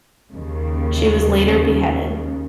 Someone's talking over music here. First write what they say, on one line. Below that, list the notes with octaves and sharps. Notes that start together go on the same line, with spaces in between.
She was later beheaded.
D#2 C#3